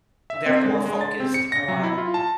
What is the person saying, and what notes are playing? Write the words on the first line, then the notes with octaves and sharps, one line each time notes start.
they're more focused on,
E5
C4
G#3
G#3
A6
C4
C#7
A#6
F#3
E4
F4
A5